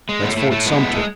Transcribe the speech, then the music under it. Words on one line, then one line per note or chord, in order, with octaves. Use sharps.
That's Fort Sumter.
G#3
A2 B3
A2 A3
A2 A3
G#3 B3
A2
G#3